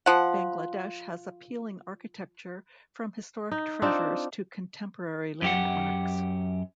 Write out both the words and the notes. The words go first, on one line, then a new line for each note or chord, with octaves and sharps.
Bangladesh has appealing architecture from historic treasures to contemporary landmarks.
F3 F#5
D#4
C4 D4 D#4 F4
F#2 G4 F#5